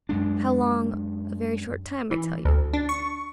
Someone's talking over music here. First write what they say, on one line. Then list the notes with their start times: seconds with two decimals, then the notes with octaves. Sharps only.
'How long--a very short time, I tell you.
0.09 F#2 G#3 D4
2.11 E3
2.45 D2
2.73 D4
2.89 C#6